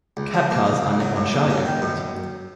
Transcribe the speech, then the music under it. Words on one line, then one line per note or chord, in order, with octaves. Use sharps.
Cab cars are Nippon Sharyo built.
C#2
F#3
A#3
C#3
C#2
F#3
F#2
A#3
C#4
D#3
F#2